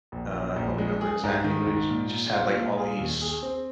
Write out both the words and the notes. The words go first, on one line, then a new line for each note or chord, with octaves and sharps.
uh, I don't remember exactly, but it j just had, like, all these
A#1
A#1
A#1
G#3
G#4
G#2
D#3
G#2
A#2
A#2
F4
A#2
G#4
D#2
G#4
C4